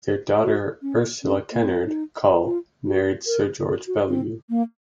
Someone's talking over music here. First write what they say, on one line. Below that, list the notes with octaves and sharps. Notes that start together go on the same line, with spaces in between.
Their daughter Ursula Kennard Cull married Sir George Bellew.
F#4
C#4
C#4
A#3
C4
D#4
F4
F#4
A#4
G#4
F#4
C4
A#3